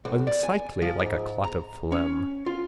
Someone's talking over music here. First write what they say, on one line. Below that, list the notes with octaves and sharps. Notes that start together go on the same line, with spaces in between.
Unsightly like a clot of phlegm.
B1
D5
G#5
F3
G#2
A#5
C#4
F4